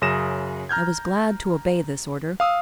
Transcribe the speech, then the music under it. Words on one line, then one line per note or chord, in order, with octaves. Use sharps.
I was glad to obey this order.
F#2 C#3 D#6 A#6 E7
A#5 F6 G6 G#6
F5 D#6 E6